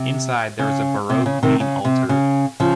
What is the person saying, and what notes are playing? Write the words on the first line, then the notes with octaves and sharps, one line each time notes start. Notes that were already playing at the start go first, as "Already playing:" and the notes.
Inside there is a Baroque main altar.
Already playing: C3
C#3
C3
C#3
C3 D#3
C#3
C3
C#3
C#3 F3